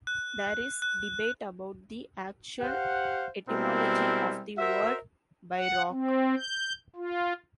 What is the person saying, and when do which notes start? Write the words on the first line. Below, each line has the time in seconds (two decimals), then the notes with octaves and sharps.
There is debate about the actual etymology of the word "bierock".
0.07 F#6
0.82 F#6
2.61 G4 C5 F5 F#5
3.49 B2 G3 G#3 C4 E4 A#4
4.58 F#4 A#4 C5 E5
5.56 F#5
5.91 C4
6.37 G6
6.96 F4